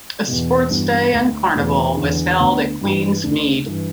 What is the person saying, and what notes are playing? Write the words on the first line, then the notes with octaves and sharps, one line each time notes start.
A sports day and carnival was held at Queen's Mead.
E2 B2
G2 E3 B3
D2 D3
E2 B2 A3
E2 D3
D2 D3 B3
G2 E3
D2 D3 D4
G2 E3